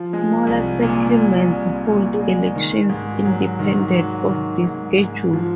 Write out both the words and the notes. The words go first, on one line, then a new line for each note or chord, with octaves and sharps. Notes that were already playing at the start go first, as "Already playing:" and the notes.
Smaller settlements hold elections independent of this schedule.
Already playing: F3
G#3
C2
A#2
A#2
C2
A#2
G#3
D#3
G#2
F#3
D#3
F#3
D#3
G#2
G#2
F3